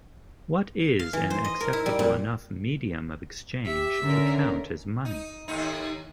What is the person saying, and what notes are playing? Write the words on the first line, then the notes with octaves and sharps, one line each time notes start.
What is an acceptable enough medium of exchange to count as money?
F5
E3
C5
D#5
A#4
E4
G3
A#2
G4 E5
D3 C#4 A#4
D#4
D#2 A2 D#4